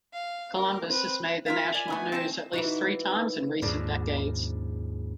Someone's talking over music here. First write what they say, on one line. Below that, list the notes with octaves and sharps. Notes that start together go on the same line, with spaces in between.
Columbus has made the national news at least three times in recent decades.
F5
A#4
C4 B4
F4 A#4 F5 B6
D5 G#5
A3 B3 D4
C4 C5 A5 E7
E3 D#4 F#4
D#2 G#2 C#3 F3 D4